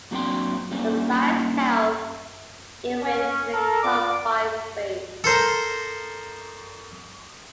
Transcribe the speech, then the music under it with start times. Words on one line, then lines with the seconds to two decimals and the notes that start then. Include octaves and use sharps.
But science tells, even in a confined space.
0.11 A#2 F#3 C4 D4 G5 C6
0.71 D3 G3 A#3 C#4 C5
3.01 C#4
3.51 A4 A#4
3.81 F4 D5 D6
5.24 A4 A#4 C5 A#5